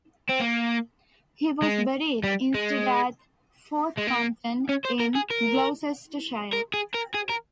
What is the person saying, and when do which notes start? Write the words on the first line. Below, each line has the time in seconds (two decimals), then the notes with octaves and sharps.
He was buried instead at Forthampton in Gloucestershire.
0.29 C4
0.40 A#3
1.62 G#3
2.24 G3
2.54 G#3
3.98 G#3
4.08 A#3
4.69 C#4
4.85 C5
5.00 A#4
5.15 G#4
5.30 A#4
6.53 A#4
6.74 G#4
6.94 A#4
7.14 G#4
7.29 A#4